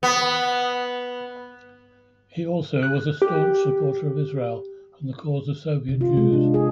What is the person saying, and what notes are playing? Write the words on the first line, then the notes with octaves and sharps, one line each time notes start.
He also was a staunch supporter of Israel and the cause of Soviet Jews.
B3
F#6
G4
C3
F4
G#3
D4
G#4